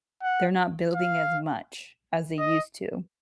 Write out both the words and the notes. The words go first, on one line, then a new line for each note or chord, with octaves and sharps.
they're not building as much as they used to."
F#5
F5
D#5